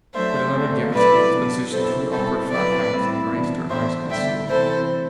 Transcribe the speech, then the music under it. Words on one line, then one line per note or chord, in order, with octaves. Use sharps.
With another gasp Mrs. Bensusan threw up her fat hands and raised her eyes to the ceiling.
F#3 A3 D4 C5 E5
D3 A3 C4
F#3 A3 E4 B4 D5
C3 F#3 B3 D4
B2 F#3 C4 E4 A4 C5
B2 G3 C4 E4 A4 C5
F#3 C4 E4 B4 D5
A2 G3 C4 E4
C3 E3 B3 D4
A2 E3 B3 D4 C5 E5
D3 G3 B3 D4 E5 G5
C3 E3 A3 E4 A4 C5